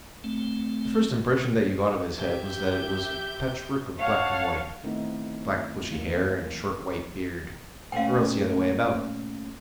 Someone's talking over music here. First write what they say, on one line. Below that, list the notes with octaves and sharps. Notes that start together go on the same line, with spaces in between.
The first impression that you got of his head was that it was a patchwork of black and white--black bushy hair and short white beard, or else the other way about.
A3 C4
G4 E5 G6
C#5 F5 F#5 A5 F6 G#6
D#3 A3 B3 C4 D#4 E4
A#3
A#2 A3 C#4 F5 G5